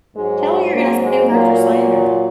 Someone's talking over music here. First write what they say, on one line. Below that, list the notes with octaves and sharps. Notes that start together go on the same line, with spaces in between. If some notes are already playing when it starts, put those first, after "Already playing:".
Tell her you're gonna sue her for slander.
G#2 F#3 G#3
A#3
G#3
A#2 F#3 A#3